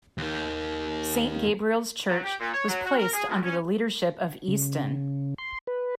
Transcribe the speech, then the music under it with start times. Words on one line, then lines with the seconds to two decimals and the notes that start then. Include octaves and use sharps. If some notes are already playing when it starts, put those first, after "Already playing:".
Saint Gabriel's Church was placed under the leadership of Easton.
0.18 D#2 D#3
2.08 F#3
2.24 G4
2.40 A#2
2.53 C#5
2.68 F#3
2.86 F#4
2.98 A#4
3.13 G#4
3.28 D2
3.44 C#4
4.48 C#3
5.38 C6
5.67 B4